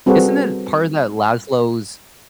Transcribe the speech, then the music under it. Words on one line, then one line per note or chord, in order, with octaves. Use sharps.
Isn't it part of that Laszlo's
G3 C4 F#4 G#4 A4 B4